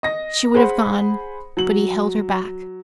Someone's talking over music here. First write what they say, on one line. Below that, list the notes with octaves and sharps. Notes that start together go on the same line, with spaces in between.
She would have gone, but he held her back.
D#5 A#6
G#4 C5 F#5 B5
F#3 F#7